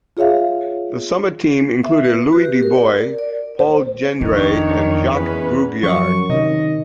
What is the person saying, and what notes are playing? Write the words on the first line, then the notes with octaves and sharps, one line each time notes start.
The summit team included Louis Dubost, Paul Gendre and Jacques Brugirard.
F4 G#4 C#5 E5 F5
E5
B4
F#4
G4
A#4
D5
A#4
D5
C5
F2 D#3 D4 C#5
E2 C#4 B4
F#2 F3 C#6
C3 D#3 D#5